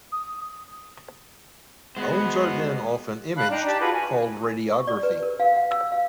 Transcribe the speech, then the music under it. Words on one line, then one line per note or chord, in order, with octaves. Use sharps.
Bones are then often imaged, called radiography.
D#6
G#3 B3 F#4 C5
F5 A5 B5 F#6
D4 D#4 G5 A#5
G4 D5 A5
F4 F#4 G#4 B4
G#5
C#6
D5
B4
A#4
F5
F#5
E6
F5